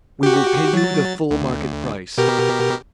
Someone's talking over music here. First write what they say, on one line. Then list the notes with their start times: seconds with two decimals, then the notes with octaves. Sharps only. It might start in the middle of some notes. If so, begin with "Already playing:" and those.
"We will pay you the full market price."
0.23 F#4 G4
0.73 F#3 A6
1.31 D2
2.18 B2 G4 A#4